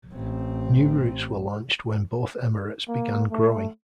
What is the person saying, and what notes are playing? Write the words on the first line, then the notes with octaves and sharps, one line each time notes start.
New routes were launched when both Emirates began growing.
A1 C4
A#3
A3